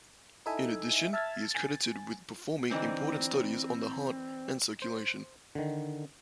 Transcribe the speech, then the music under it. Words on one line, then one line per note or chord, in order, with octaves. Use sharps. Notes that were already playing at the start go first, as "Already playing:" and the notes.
In addition, he is credited with performing important studies on the heart and circulation.
D#4 E4 A4 E5 G#5
E5 A5 E6 F6 G#6 A6
G#5 A6
D3 E3 C4 D#4
C5
D3 D#3